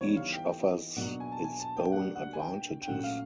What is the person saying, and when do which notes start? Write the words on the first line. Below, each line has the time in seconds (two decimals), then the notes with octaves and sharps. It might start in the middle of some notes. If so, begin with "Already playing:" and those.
Each offers its own advantages.
0.01 E3 G3 B3 D#4 C#5
0.17 F5
0.32 G5
0.96 B2 F#3 A#3 D4 F#5
1.20 G#5
1.32 A5
1.44 G#5
1.60 A5
1.77 G5
1.92 G3 A#3 D4 F#4 F#5
2.16 F#5
2.33 G#5
2.39 G5
2.82 G5
2.87 A#2 F#3 A3 C#4 F#5
3.04 F5